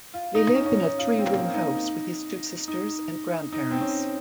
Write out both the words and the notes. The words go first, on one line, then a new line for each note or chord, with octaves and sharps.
They lived in a three-room house with his two sisters and grandparents.
F4
D#4
C#4
C#4
D#4
F4
C4
A#3
D#4
D#4
D#4
C4
C#4